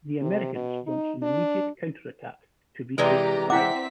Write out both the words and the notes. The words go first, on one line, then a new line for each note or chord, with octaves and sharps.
The Americans launched an immediate counterattack to retake the town.
C3
B2
D#4
D4
C3 E3 G#3 G4 B4 D5 A#5
C4 E4 E5 F#5 G5 D6 B6